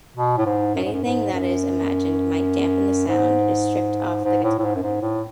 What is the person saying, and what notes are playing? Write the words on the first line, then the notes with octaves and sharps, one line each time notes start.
Anything that it is imagined might dampen the sound is stripped off the guitar.
B2
A2
G#2
F#2
G#2
F#2
G#2
F#2
G#2
G#2
A2
A2
G#2
F#2
G#2
A2